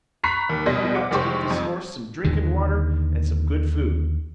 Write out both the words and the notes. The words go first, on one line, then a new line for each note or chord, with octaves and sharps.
"We got to get this horse some drinkin'-water and some good food."
A#5 B5 C#6 F#6 B6 C7
D#2
A#1 B2 G3 D#5 C6 A#6
F#5 D6
F1 G#3 G4 C5 C#6
F2
D#2 D3 D#3